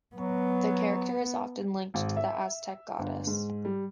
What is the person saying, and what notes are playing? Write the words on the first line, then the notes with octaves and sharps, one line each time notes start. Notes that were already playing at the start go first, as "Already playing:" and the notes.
The character is often linked to the Aztec Goddess.
F#3 B3
G#1
E5
G1
G#2
G3